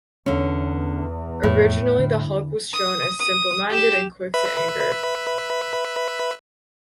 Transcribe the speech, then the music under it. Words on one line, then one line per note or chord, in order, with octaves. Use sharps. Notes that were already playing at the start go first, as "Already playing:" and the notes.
Originally, the Hulk was shown as simple minded and quick to anger.
E2 D3 C#4
F2 A2
D3
D#6
D#6
G4 E7
B4 E5 B5